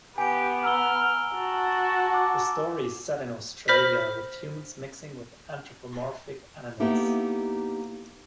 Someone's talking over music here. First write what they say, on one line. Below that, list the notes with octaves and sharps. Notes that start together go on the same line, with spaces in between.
The story is set in Australia with humans mixing with anthropomorphic animals.
B3 G4 G#5 D7
A#5 E6 F6 G7
F#4 A5
D6
C5 B5 F6 G6 A#6 B6
A#3 B3 D#4 E4 G4 A4